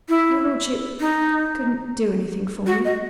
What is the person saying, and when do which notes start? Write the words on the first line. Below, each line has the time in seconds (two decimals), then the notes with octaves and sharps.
Your Lordship couldn't do anything for me?
0.09 E4
1.00 D#4
2.67 F#4
2.85 D#5